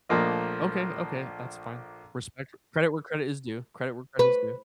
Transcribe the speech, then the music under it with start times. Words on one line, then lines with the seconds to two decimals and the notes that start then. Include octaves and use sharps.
Okay, okay, that's fine. Respect r Credit where credit is due. Credit where credit is due.
0.09 A#1 F3 A3 A#3 D#5
4.19 B4